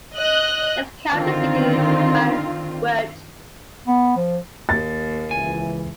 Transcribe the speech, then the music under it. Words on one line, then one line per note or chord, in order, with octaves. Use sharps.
Its county seat is Van Wert.
D#5 F#6
D3 D#3 C4 F4
B3
F3
D#2 A6
C#2 E3 G#5